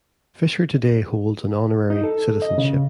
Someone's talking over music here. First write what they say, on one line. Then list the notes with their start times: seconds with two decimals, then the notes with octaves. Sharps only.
Fischer today holds an honorary citizenship.
1.90 D#4
2.04 A4
2.42 D#5
2.58 C#3